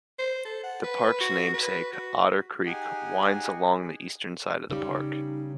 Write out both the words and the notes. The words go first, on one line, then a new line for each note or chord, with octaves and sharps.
The park's namesake, Otter Creek, winds along the eastern side of the park.
C5
A4
F#5
B4
F#4
B4
F#4
D#4 G4 G#4 F#5 G#5
C#3 G3 D#4